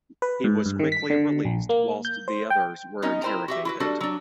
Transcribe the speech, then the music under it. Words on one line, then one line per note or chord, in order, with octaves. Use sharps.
He was quickly released whilst the others were interrogated.
B4
G#2
G2
D#3
B6
D3
A#1
A#3
G6
C5
G5
B3 C#4 D#4 D#5
E4 A#4 C5 G5 A#5
F#4 G4 E5
E4 F#4 B4
G3 D4 F#4 A4
F#3 D4